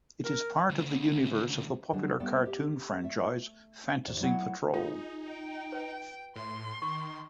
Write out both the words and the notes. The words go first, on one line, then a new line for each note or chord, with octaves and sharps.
It is part of the universe of the popular cartoon franchise "Fantasy Patrol".
A#4
D2 C#3
D3 F#3 G3 D4 F#4 G#4
G3 A3 B3 A4 D5 G5
G4 E5
A3 E5
D2 A2 C3 D#3 C5 D5
F#3 A3 E4 F#5
D#4 F4 G#4
G5
B4
A2 C6
D#3 C#6